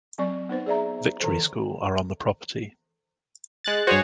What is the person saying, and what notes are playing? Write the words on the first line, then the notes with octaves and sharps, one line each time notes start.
Victory School are on the property.
F#3 C4 D5 C#6
B3 D#4 B4 C5
G#4 D5 E5 A#5
D3 E3 A4 C5
G#3 F#6 A6
G2 F#4 G#4 C5 C#5